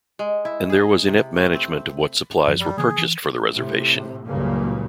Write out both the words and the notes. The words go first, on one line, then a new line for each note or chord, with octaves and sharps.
And there was inept management of what supplies were purchased for the reservation.
G#3
E4
G#4
C3
A3
C4
F#2 F3
G3
C#3 E3 A#3 G#4
E3
A2 C3
F#1 C#2 G2 A#2 C#3 A#3